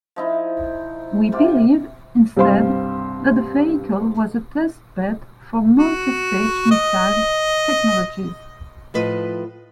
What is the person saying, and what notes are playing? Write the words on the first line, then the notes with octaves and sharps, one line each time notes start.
We believe instead that the vehicle was a test bed for multi-stage missile technologies.
F3 D#4 E4
C3 F4 G4
C2 G2 C4 C5 F5 C6
F#4
D#5
A2 F3 B4 D#5